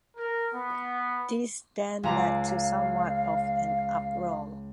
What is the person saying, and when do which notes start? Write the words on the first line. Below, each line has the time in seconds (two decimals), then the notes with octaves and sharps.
This then led to somewhat of an uproar.
0.16 A#4
0.52 B3
2.03 C#2 F5 A#5 D6
2.56 F5